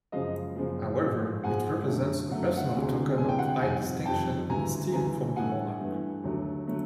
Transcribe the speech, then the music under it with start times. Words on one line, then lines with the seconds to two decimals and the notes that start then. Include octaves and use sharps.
However, it represents a personal token of high distinction and esteem from the monarch.
0.12 F#2 C#3 F3 G#3 D#5 F5
0.56 F#2 C#3 F3 G#3
1.01 G#2 F3 G#3
1.44 G#2 F3 G#3 F#5 G#5
1.88 F#2 D3 F#3 A3
2.31 F#2 D3 F#3 A3 F#5
2.44 F5
2.57 E5 F#5
2.75 D2 C3 E3 G#3
3.18 D2 C3 E3 G#3 G#5
3.29 G5
3.39 F#5
3.47 F5 G5
3.61 F2 C3 D#3 G3 F#5 G#5
4.05 F2 C3 D#3 G3 G5 A5
4.50 D2 C#3 E3 G3 G#5 A#5
4.92 D2 C#3 E3 G3 G#5 A#5
5.36 G2 E3 A3 F#5 G#5
5.81 G2 E3 A3
6.24 D#2 D3 F#3 A3
6.68 D3 F#3 A3